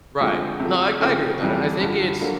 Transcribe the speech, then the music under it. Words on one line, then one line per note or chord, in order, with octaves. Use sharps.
Right. No, I I agree with that, and I think it's
D2 D3 F3 G#3 C4
C3 F3 A3
C#3 F3 A3 C4
F2 C3 E3 G3
G2 D3 F3
D3 F#3 A#3